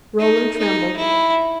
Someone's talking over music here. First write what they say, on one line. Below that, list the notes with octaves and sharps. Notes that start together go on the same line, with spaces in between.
Rollin trembled.
D#4
D#4
E4